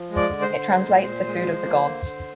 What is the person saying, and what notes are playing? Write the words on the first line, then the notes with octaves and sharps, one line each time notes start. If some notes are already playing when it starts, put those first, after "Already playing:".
It translates to food of the gods.
Already playing: F3
G#3
D5
D3
C5
D3
G#3
A#2
A#2
G#3
F3
A#3
D3
D3